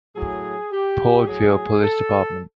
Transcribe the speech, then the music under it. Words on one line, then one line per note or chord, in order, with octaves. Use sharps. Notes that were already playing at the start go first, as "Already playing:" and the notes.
Port Vue Police Dept.
A2 F#3 G#4
G4
A2 F#3 G#4
A4